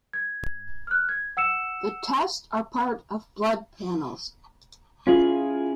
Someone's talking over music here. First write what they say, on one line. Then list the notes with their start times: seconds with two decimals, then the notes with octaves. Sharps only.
The tests are part of blood panels.
0.13 G#6
0.87 F6 F#6
1.09 G#6
1.37 F#5 E6 C#7 E7
5.07 C#4 E4 F4 G#4